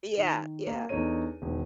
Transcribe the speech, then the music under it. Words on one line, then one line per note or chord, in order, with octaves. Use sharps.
Yeah, yeah.
D#3
A#3
E2 D4 D#4 A4 C#5 D#7
E1 D#3